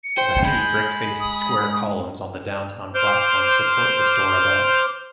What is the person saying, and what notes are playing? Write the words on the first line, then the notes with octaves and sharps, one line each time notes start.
The heavy brick-faced square columns on the downtown platform support the store above.
C#7
C5 G5
G#3 B5 G6
D#6
C5 D6 F6 G6